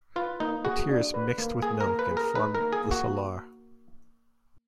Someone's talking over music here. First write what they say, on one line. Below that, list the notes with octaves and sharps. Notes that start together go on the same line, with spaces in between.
Her tears mixed with milk and formed the Salar.
F4 B4
A#3 D#4
F#4 G#4
D4
B4
A#3
A#3 G#4
A#4
A#3
B4
G#4
A#4
D#4 B4
A#4
A#3
G#4
A#3
F#4